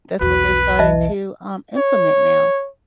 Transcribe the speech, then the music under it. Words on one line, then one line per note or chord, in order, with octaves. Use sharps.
That's what they're starting to, um, implement now.
B1 E2 F#4 B4
E3 D#5 E5 A5
C#5